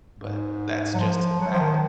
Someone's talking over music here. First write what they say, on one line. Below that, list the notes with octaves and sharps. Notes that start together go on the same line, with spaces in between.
but that's just as bad.
G#2
F#3
F3
F#3
F3
D#3